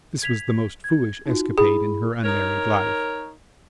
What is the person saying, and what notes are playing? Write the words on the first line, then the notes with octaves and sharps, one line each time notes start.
This was the most foolish escapade in her unmarried life.
G#6 B6 F7
G#6
D#4 F4 F#4
E4 G#4 B5
D#4 A#4 C#5